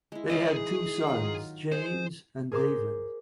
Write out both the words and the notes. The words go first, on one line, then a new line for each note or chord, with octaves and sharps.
They had two sons, James and David.
G#3 E4
E3 D#4 C#5 D#5
G#4
D#3 F#3 F4
G#4 C5
G#4 A#4 C5 D6